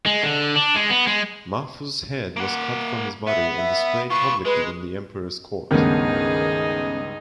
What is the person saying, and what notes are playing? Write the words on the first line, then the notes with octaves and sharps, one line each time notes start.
Mahfuz's head was cut from his body and displayed publicly in the Emperor's court.
G#3
D3
D4
G#3
B3
G#3
A#3 F#5
B3 E5
E5
F4 B4 C#6
G#3 B4
C#2 G2 D#3 A3 B3 C#4 D#4 G#4